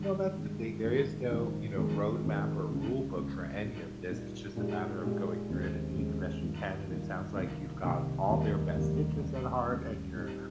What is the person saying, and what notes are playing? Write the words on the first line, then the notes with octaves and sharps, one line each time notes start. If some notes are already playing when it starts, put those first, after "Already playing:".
Well, that's the thing, there is no, you know, road map or rule book for any of this, it's just a matter of going through it and doing the best you can, and it sounds like you've got all their best interests at heart and you're
Already playing: G2 D#3 G#3
G2 D#3 G#3
A#1 G#2 D#3 A#3 D#4
A#1 G#2 D#3 A#3 D#4
F2 D#3 G#3
F2 D#3 G#3
C#2 C#3 F3 C4
C#2 C#3 F3 C4
A#2 G3 A#3 D#4
A#2 G3 A#3 D#4
A#2 G#3 D#4 G4
A#2 G#3 D#4 G4
D#2 C#3 G#3 C4
D#2 C#3 G#3 C4
G2 D#3 A#3 F4
G2 D#3 A#3 F4
C2 C3 D#3 A#3
C2 C3 D#3 A#3
F1 D#2 D#3 G3 A#3
F1 D#2 D#3 G3 A#3
D#2 C#3 G3
D#2 C#3 G3
A#2 G3 C4 D#4 G4